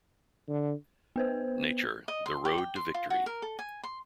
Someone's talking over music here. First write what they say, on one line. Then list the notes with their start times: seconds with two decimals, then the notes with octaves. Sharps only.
Nature: The Road to Victory.
0.49 D3
1.16 B3 B4 C5
2.08 D#5
2.26 C6
2.45 G4
2.58 G5
2.76 C6
2.94 F4
3.10 F#4
3.26 A#4
3.42 A4
3.59 G#5
3.84 C6